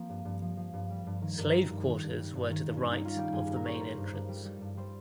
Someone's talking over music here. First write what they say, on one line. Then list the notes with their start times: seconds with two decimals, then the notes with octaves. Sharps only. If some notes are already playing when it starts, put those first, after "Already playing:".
Slave quarters were to the right of the main entrance.
Already playing: F3 A#3 C4
0.09 G2
0.25 G2
0.42 F3
0.57 F3
0.73 G2
0.90 G3
1.06 G2
1.22 D#3
1.38 G2 A#4
1.55 G3
1.70 G2
1.87 D#3
2.03 G2
2.19 G3
2.35 G2
2.52 D#3
2.68 G2
2.77 C#4
2.84 G2
2.92 D#4
3.00 G3
3.05 F4
3.16 G3 G4
3.32 G2 G#4
3.48 G2
3.56 A#4
3.65 G3 C#5
3.74 C5
3.80 G3 A#4
3.97 G2
4.13 G2
4.28 G3
4.45 G3
4.61 G2
4.77 G3 C5